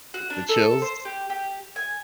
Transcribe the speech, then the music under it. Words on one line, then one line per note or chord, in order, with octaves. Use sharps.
Uh, the chills?
F#4
D4
A4
C5
G4
G4
G#5